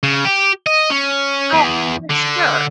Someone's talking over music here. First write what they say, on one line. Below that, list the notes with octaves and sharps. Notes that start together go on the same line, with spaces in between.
Oh, for sure.
C#3
G4
D#5
C#4
E2
D3